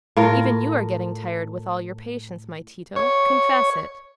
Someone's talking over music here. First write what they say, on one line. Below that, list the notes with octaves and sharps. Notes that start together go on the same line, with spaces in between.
Even you are getting tired, with all your patience, my Tito; confess it.
A2 F4 A#4
C#5